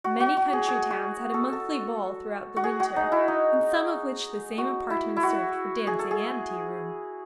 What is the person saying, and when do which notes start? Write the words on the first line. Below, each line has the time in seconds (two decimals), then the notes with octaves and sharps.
Many country towns had a monthly ball throughout the winter, in some of which the same apartment served for dancing and tea-room.
0.04 F#4
0.20 F#4
0.37 F#4
0.53 G#4
0.68 G#4
0.90 F#4
1.34 A4
1.53 A4
2.56 F#4
2.64 G#4
2.80 F#4
2.96 D#4
3.12 E4
3.28 D#4
4.58 F#4
4.90 E4
5.16 E4
5.23 F#4
5.87 G#4
5.99 A4
6.11 G#4